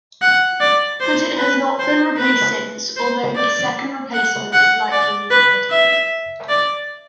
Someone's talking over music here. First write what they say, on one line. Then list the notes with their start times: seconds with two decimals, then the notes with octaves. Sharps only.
But it has not been replaced since, although this second replacement is likely needed.
0.22 F#5
0.61 D5
1.01 C5
1.39 B4
1.79 C5
2.17 B4
2.97 C5
3.36 D5
4.14 F#5
4.53 F#5
4.92 D5
5.31 B4
5.71 E5
6.49 D5